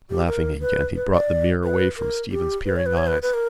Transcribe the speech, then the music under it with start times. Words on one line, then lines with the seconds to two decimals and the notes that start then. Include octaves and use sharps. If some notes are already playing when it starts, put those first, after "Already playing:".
Laughing again, he brought the mirror away from Stephen's peering eyes.
0.10 G4
0.27 A#4
0.62 B4
0.96 B4
1.12 D5
1.64 B4
1.97 A#4
2.31 G4
2.66 B4
2.76 C#5
2.86 B4
2.97 C#5
3.07 B4
3.22 B4
3.34 A#4